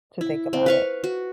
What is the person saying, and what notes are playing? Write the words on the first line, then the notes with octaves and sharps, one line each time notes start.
to think about it.
E4
C4
B4 F5 C#6
F#4